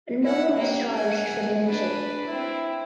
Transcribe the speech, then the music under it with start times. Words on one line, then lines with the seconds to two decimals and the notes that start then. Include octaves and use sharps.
No one was charged for the lynching.
0.23 E4 F#5
0.56 A#3 G4
0.91 F#5 G#5
1.66 D4 B4
2.25 C4 E4